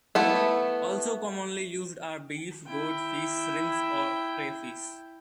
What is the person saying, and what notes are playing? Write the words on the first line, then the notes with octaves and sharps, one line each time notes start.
Also commonly used are beef, goat, fish, shrimps, or crayfish.
A3 B3 E4
E4 G5